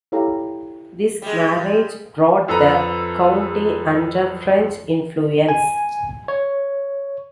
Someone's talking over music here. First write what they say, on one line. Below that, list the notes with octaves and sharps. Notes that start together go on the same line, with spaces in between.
This marriage brought the county under French influence.
E4 G4 A4 C#5 F5 A#5
G3 G#3
F2 A4 B4 A#5
G#5
C#5